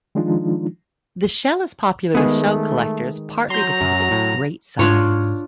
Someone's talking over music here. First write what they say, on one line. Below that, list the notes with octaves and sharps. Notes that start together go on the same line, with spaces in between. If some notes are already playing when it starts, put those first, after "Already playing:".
The shell is popular with shell collectors partly because of its great size.
D#3 F3 G#3 D4 D#4 F4
D#3 G#3 A3 B3 G#4 B4
F#3 A#5 C6 G6
F#2
A2
G#2 D4 F4 C#5